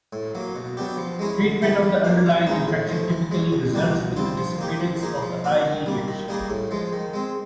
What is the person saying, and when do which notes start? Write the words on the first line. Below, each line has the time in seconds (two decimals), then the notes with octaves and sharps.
Treatment of the underlying infection typically results in the disappearance of the id reaction.
0.13 A2
0.35 F#3 A#3
0.56 B2
0.77 F#3 B3 D4 G4
0.97 F3
1.19 G#3 C#4 E4 G#4
1.40 D3
1.62 G3 B3 E4 G#4
1.83 G3
2.04 A#3 D4
2.26 F3
2.47 G#3 B3 D#4
2.68 A2
2.89 F3 A3
3.10 E3
3.31 G#3 C#4
3.52 B2
3.74 G3 A#3 D4 F#4
3.95 B2
4.16 G3 C4 F4
4.38 F3
4.58 A#3 D#4 G4
4.80 F3
5.01 A#3 D#4 G#4
5.22 F3
5.44 A#3 D4 F#4
5.65 D#3
5.86 G3 A#3
6.08 D#3
6.28 G3 A#3 D#4 G#4
6.50 A2
6.71 F3 G#3
6.93 D#3
7.14 G#3 C4